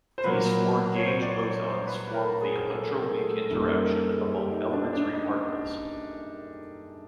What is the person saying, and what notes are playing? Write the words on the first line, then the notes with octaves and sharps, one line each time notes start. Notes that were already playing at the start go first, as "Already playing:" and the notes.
These four gauge bosons form the electroweak interaction among elementary particles.
C5
A#2 F#3 A#3 B4
C#5
C5
D5
C#5
C#5
C5
B4
B4
A#4
G#4
A4
A#4
G#4
A4
A4
F#2 D#3 G3 A#3 A4
A#4
A4
G#4
G4
D#4
D4
D4
D#4